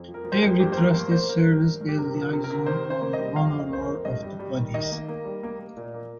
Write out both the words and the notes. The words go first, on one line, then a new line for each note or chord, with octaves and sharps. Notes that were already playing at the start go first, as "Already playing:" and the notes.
Every Trustee serves a liaison on one or more of the bodies.
Already playing: F2
F3
A#4
F3
C5
A#4
F2
G2 G4
C5
A#3 A#4
A#3 C5
A#3 C5
A#3 A#4
G2
A#4
G2
G2
G4
C3 A#4
F3
A#4
C3
A#4
C3
D#3 C5
D#3
C5
A#3
G3 D#5
F2 F5
F2
D#5
A#3 C5
A#4
F2
G2 D#5
G3
G3
D#3
D#3 D#5
A#3
A#3
G3
A#3
A#3
A#2
A#3